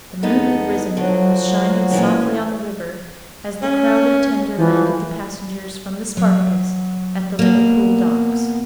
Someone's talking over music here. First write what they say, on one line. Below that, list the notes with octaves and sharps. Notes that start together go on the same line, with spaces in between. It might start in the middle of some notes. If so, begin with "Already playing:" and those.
The moon had risen and was shining softly on the river as the crowded tender landed the passengers from the "Spartacus" at the Liverpool docks.
E2 B3 D#4 A4 F#5
D3 F3 F#3 F#4
A#2 E3 C#4
C#4
E3 F3
F#3
B2 A#3